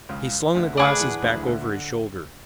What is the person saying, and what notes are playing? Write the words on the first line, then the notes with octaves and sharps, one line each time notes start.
He slung the glasses back over his shoulder.
C#2 C#3
D2 D3
D2 D3 D4 G#4 B4 F#5
E2 E3
D2 D3
E3
D2 D3
D3